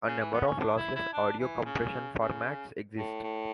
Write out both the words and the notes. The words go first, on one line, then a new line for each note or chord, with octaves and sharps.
A number of lossless audio compression formats exist.
C#3
E3
B3
C#4
D4
E4
E4
D4
E3
C#3
C#3
A2
A2